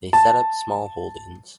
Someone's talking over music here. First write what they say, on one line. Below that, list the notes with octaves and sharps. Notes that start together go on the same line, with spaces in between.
They set up smallholdings.
A5